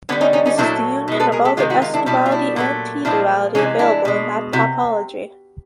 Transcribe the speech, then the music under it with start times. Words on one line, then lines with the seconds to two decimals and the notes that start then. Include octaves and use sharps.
This is the union of all the S-duality and T-duality available in that topology.
0.09 D3 B3 C#4
0.12 G3
0.21 C#4 D#4
0.33 C#4 D#4
0.46 C#4 D#4
0.58 A#2 F#3 A3 D4 E4
1.08 B2 G#3
1.20 A4 B4
1.32 G#4 A#4
1.45 G4 A4
1.57 C3 D#3 G#3 F4 G4
1.70 E4 F#4
1.82 D#4 F4
1.94 D4 E4
2.06 B2 G3 D4 E4
2.26 F4
2.31 D4 E4
2.56 A#2 F#3 A3
3.05 A#2 F3 G#3 D4 E4
3.55 C3 E3 G#3 C#4 D#4
3.79 D4 E4
4.05 B2 G#3
4.53 C3 E4 F#4